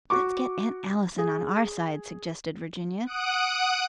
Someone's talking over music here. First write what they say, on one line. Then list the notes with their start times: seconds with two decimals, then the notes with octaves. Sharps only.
"Let's get Aunt Allison on our side," suggested Virginia.
0.10 F#4 C#6 D6
1.18 G#4
3.06 F#5 D#6 F#6 D7